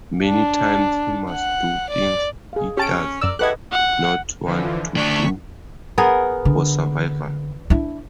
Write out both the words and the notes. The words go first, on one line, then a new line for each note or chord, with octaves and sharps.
Many times he must do things he does not want to do, for survival.
D4
F#5
D5
G#4 F5
C#4 G4 A5 D7
F#2 A#4 D5 E6
E4 G4 A4 B4 D#5 F#5 F#6 G#6
F#5
D3 E3 F3
D2 D4 C#6 B6
B3 G#4 A#4
D3
D4 E4